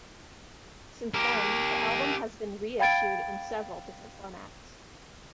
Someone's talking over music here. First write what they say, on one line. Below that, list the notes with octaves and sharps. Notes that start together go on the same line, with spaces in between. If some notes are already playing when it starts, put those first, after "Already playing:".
Since then, the album has been re-issued in several different formats.
G4 A#4
F5 G5 B5 G#6 A6 D7